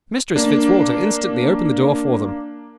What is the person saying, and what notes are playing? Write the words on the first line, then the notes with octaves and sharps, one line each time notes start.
Mistress Fitzwalter instantly opened the door for them.
A#3 D4